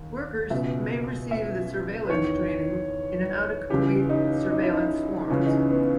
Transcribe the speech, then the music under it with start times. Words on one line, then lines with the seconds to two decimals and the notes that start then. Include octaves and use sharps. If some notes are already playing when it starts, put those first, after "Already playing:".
Workers may receive the surveillance training in how to complete surveillance forms.
Already playing: D#2
0.50 C#2 B2 E5
1.31 E5
2.05 B4
2.10 E2 D#3 C#5
3.70 C#2 C#3 E3 G4
4.09 D#4
4.50 D#4
4.63 E4
4.74 D#4
5.29 C#2 C#3 E3 C#4
5.46 D#4
5.58 C#4
5.70 B3